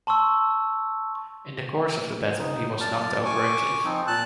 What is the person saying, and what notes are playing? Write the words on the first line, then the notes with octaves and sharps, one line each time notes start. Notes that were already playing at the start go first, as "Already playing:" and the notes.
In the course of the battle he was knocked over a cliff.
A5 C6 C#6 E6
D#4
F#2 D5 A5 F6
G#5 C#6 D6
F3 C4 D#4
A#2 A5 F#6